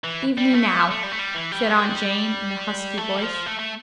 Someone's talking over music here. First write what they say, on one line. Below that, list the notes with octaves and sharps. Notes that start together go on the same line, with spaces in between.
"Leave me, now," said Aunt Jane, in a husky voice.
E3
G3
A3
A3
G3
A3
G3
E3
G3
A3
G3
F3
A3
A3